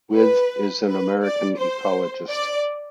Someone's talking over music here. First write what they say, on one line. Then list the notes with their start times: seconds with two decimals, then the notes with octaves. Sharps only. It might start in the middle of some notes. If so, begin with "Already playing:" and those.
With is an American ecologist.
0.15 B4
0.86 B4
1.23 D5
1.58 C5
2.30 D5